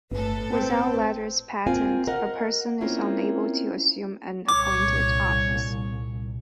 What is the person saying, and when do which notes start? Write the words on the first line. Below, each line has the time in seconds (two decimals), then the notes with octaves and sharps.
Without letters patent, a person is unable to assume an appointed office.
0.12 G1 A2 A4 B4
0.52 C4
1.66 A#3 C4 F4 A#4 F5 G#5
2.07 A#4 D#5 F5 F#5
2.81 A#3 C4 C#4 E4 F4 A#4
4.48 C2 A#2 C#5 D6